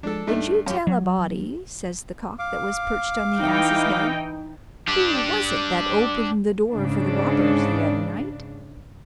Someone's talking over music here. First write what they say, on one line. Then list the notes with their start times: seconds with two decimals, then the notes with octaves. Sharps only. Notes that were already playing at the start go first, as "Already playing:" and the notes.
"Would you tell a body," says the cock that was perched on the ass's head, "who was it that opened the door for the robbers the other night?"
0.03 F3 G#3 D4 A4
0.27 G2 A3 D#4 E5
0.66 F#2 G4 C#5 F5
0.87 F#3
2.39 F5 D6
3.38 E3 D#4 G5
4.88 D4 G4
6.72 G#2 C#3 D4